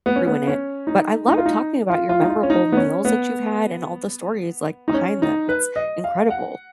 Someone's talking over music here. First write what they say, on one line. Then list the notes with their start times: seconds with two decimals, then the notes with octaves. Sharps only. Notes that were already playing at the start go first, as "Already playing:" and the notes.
ruin it, but I loved talking about your memorable meals that you've had and all the stories, like, behind them, it's incredible.
0.06 B3
0.16 C#4
0.27 B3
0.47 C#4
0.87 D#4
1.28 D#4
1.38 F4
1.46 D#4
1.90 F4
2.09 F4
2.22 D#4
2.29 F4
2.43 C#4
2.50 D#4
2.72 B3
2.77 C#4
3.05 B3
4.88 D#4
4.94 C#4
5.22 D#4
5.49 B4
5.76 D#5
6.04 F5
6.30 F#5